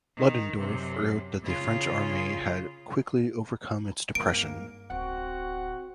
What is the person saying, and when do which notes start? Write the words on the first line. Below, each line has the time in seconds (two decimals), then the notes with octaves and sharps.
Ludendorff wrote that the French army had "quickly overcome its depression".
0.16 D#3
0.59 F#2 C3
1.43 C#3 F4
4.15 G#1 G2 A#3 D7
4.90 D1 A1 C4 F#4 F#5